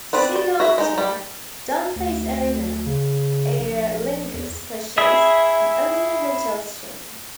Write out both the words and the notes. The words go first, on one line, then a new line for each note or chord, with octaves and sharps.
Soon after, Dunfey's owner, Aer Lingus, purchased the Omni Hotels chain.
B3 C4 B4 D5
D5
F#4 G#4 E5
G#3 D#4
G3 G5
D2
C#3
A#1
E2
E4 G#4 E5